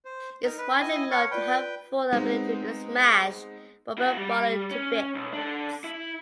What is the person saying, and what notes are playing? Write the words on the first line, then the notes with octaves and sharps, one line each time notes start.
Is widely known to have full ability to smash Robert Barlow to bits.
C5
D#4 A#4
B4
E4 D#5 G5 G#5
C#5 F#5 A5 B5 F6
F4 B4 D5 G5 B5
G#3 B3 C4 D#4
E4 F#4
G3
C#4
B1
D4 A4
E4